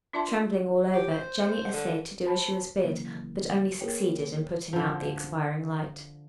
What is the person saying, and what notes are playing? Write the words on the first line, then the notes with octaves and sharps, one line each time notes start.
Trembling all over, Jenny essayed to do as she was bid, but only succeeded in putting out the expiring light.
D4 F4 D5 E5 A5 C6
G4
C5
D3
C5 A5 B5
C#3 E3 F#3 A#3
A#3 G#4 A#4 B4 C#5 G5
D3 F3